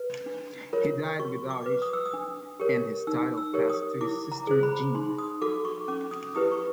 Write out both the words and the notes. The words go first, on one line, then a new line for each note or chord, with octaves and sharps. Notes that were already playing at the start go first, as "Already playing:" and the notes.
He died without issue, and his title passed to his sister Jean.
Already playing: B4
D4
F4 A#4 C#5
F#4 C#6
D6
B4
D#6
E6
D#6
D4
G4 A#4 C#5
D#4 E6
E6
G4 A#4 C#5
D#6
E4 D6
A#5
G#4 C5
B5
D#4 C6
D#6
F#4 A4 D6
C#6
C#4 D6
D#6
E4 G4 B4 D#6
C#6